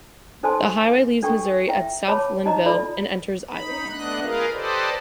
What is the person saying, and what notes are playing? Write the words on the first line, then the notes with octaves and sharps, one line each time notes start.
The highway leaves Missouri at South Lineville and enters Iowa.
D#4 A4 C5 G#5 A5 C6
D4 A4 G5 C#6
E4 E5 G5
C#5 A5 B5 D6
D#4 D#5 A#5
E4 F4 A4 D5 B5
D#4 B5
A3 B3 D4 D#5 F#6
F4 G#4 A#4 B4 D#5 F5
G4 A4 B4 C5 D5 D#5